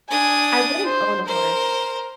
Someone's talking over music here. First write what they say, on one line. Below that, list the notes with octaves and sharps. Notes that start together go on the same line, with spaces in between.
I wouldn't own a horse,
D4 G#5 D#6
C5
A#4 C5